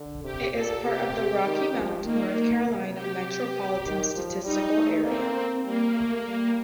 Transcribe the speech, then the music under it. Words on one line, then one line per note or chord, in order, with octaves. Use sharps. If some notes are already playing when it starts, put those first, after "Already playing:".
It is part of the Rocky Mount, North Carolina Metropolitan Statistical Area.
Already playing: D3
C3 G4
A#2 A4
C3 G4
D#3
F3
D#3 A#3
C3
G4
D#3
F3
G3 D#4
A3
A#3 C4
G3 A#3
A3
G3